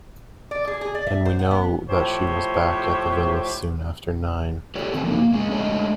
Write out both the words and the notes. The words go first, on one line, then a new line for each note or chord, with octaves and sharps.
And we know that she was back at the villa soon after nine.
D5
G#4
G#4
D5
E5
C5
F#5
B3
A2 F3 G4 C5 C#5
G4 A4 C#5 D5
D#3 C4 A4
D#3 F3 F#3 A#3 D#4
A#3
G#3 C#4 G#4
G#3 A3 D4 C#5 D#5